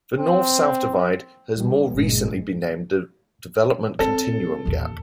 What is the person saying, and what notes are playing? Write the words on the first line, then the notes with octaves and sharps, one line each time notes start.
The north-south divide has more recently been named the development continuum gap.
C4
D#3 G3
F#1 G2 A#2 G#3
C4 A4
A1 D#2